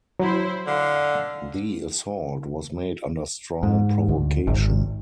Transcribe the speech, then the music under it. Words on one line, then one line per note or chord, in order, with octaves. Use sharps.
The assault was made under strong provocation.
F#3 E4 C5
D3 F5
G#2
D2
G#1